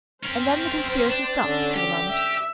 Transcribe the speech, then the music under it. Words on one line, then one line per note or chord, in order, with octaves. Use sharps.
And then the conspiracy stopped for the moment.
C4 C#4 A#4 C5
D4
D3 C#4
G4
E5